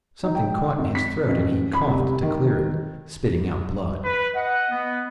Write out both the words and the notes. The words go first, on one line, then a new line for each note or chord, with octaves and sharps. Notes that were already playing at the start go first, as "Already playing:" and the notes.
Something caught in his throat and he coughed to clear it, spitting out blood.
D#4
G5
G#1
B6
A1
B5
C2
D#3
B4
D#5 F#5
B3